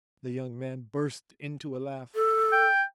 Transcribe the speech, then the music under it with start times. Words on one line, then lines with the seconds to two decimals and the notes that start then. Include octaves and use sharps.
The young man burst into a laugh.
2.15 A4
2.52 G5